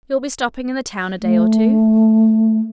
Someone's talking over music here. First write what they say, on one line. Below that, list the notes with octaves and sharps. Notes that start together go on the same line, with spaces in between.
You'll be stopping in the town a day or two?
A3